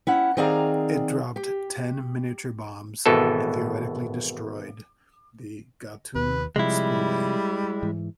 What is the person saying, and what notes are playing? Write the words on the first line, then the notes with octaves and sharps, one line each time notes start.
It dropped ten miniature bombs and theoretically "destroyed" the Gatun spillway.
C#4 E4 F#5
D#3 C4 G#4 D5 F5 A#5
G4
G#1 B2 E3 A4
D#2 B4
C3 F3 G3 G#3 E4
G#2 E3